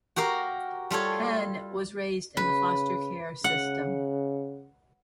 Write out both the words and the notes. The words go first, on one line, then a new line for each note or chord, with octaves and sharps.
Penn was raised in the foster care system.
F#4 G4 A#4 F5
G3 F4 A4 C#5
C#3 B4
C#3 F#5